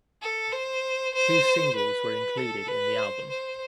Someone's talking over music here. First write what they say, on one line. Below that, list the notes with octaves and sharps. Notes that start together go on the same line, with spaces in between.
Two singles were included in the album.
A4
C5
C5
B4
A4
B4
C5
C5